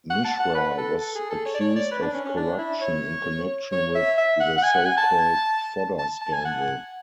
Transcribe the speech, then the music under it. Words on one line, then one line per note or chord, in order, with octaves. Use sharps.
Mishra was accused of corruption in connection with the so-called 'fodder scandal'.
F#5
A5
F#5
B4
A4
A4
G#4
A4
C#5
D5
C#5
D5
B4
D4
C#4
C#4
D4
E4
C#5
C#5
E5
E5
F#5
F#5
G#5
F#5
G#5
A5
A5
A5
G#5
F#5